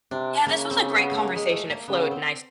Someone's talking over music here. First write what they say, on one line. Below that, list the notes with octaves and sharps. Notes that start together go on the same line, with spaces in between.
Yeah, this was a great conversation, it flowed nice
C3 D4
C#3 A#3
C4
B3
A3
A#3
G#3
A3
A#3
C#3 B3
C4